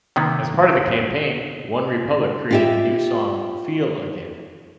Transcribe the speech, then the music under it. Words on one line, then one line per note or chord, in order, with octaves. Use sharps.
As part of the campaign, OneRepublic created the new song "Feel Again".
C3 D#3 A#3 B3
F4 G4 E5